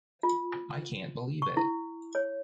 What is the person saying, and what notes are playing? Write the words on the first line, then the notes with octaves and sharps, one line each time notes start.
I can’t believe it!
F4
C#6
E4
C#5